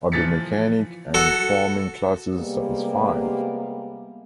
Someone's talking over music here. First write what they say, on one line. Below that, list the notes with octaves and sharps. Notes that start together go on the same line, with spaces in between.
Are the mechanic and farming classes satisfied?
E3 F3 A6 B6 C#7
F#4 A4
C3 G3 G#3 A#3 B3